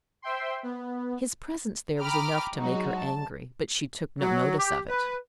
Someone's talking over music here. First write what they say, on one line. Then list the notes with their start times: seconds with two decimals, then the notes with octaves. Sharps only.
His presence there was enough to make her angry, but she took no notice of it.
0.22 C5 E5 G5 C6
0.63 B3
2.00 G5 A#5 B5 D6 D#6 F6
2.54 F#3 G#3 D#4 F#4
2.97 A5
4.20 F#3
4.58 G4
4.89 B4